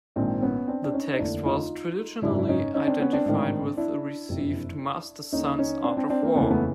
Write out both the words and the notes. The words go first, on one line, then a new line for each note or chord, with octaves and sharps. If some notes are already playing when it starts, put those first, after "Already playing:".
This text was traditionally identified with the received "Master Sun's Art of War".
A#1 G#2 D#3 C4 D4
B3 C#4
C4 D4
D4
C#4 D#4
D#4
F1 D#2 D3 D4 E4
D#4 F4
G#1 F#2 C#3 D4 E4
E4
C#4 D#4
C#4 D#4
C4 D4
B3 C#4
C4 D4
A1 G#2 D#3
D4 E4
F#1 F2 C3
D#2 D3 C#4 D#4
C#4 D#4
C4 D4
C4 D4
C4 D4
A#3 C4
F1 D#2 C#3 E3 B3
A#3
A3 B3